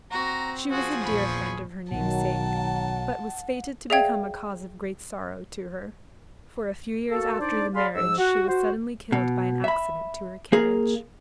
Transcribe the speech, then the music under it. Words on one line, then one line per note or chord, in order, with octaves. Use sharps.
She was a dear friend of her namesake, but was fated to become a cause of great sorrow to her, for a few years after the marriage she was suddenly killed by an accident to her carriage.
C4 F#4 A#5
F3 F#4 G#4
A#1 E2 B5 C#6
B1 B2 D#3 F#3 F#5 A5
G#4 D5 E5 F5 G5 G#6
A#3 F#4 A4
D4 D#4 C5 D5
G#4 D5 F5 B5 C6
G#2 F3 E6
F#4
F#4 C5
B2
E5 B5
A#3 G#4 A#4